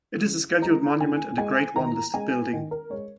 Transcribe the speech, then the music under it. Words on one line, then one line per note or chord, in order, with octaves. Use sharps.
It is a scheduled monument and a Grade One listed building.
C#3
G#3 A#5
C#3 G#5
G#3 G#5
D#3 A#5
G#3 G#5
D#3
A#4
G#3 C#5